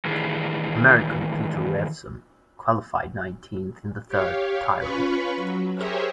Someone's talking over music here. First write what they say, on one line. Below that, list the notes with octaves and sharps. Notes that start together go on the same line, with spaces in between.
American Peter Revson qualified nineteenth in the third Tyrrell.
A2 D#3 E3 D4 G4 G#4
G4 C#5 F5
C#4 F4 B4 B5 C#6
F#3
G4 G#4 A#4 C5 C#5 E5